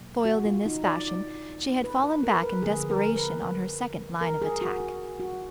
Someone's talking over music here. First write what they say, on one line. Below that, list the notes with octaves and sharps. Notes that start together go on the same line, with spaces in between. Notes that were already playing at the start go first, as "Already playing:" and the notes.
Foiled in this fashion, she had fallen back in desperation on her second line of attack.
Already playing: B2 F#3 A#3
F#4
F4
D#4
D5
B4
B4
A#4
B4
D3 F3 A#3 G#4
A#4
B4
A#4
G#4
F#4
F#4
F#4